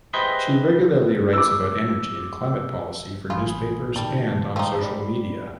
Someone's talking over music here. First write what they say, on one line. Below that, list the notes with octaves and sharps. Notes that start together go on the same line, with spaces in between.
She regularly writes about energy and climate policy for newspapers and on social media.
G4 G#4 B4 C5 D#5 E5
D6 E6
A1 F4 G#5 B5 D#6
A#2 D#3 G3 A5
F3 D#4 G5
G4 D5 B5